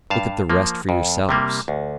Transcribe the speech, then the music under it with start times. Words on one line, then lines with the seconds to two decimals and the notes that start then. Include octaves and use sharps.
Look at the rest for yourselves.
0.10 G2 F5 A5
0.50 F3 A#3
0.89 F2
1.29 C3 G3 A#3
1.68 D2